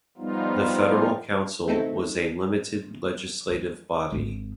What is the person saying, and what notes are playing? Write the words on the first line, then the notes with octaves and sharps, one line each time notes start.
The Federal Council was a limited legislative body.
F3 G3 B3 D#4 F4
A3 C4 D#4 E4 A4
G#3
G#1 F3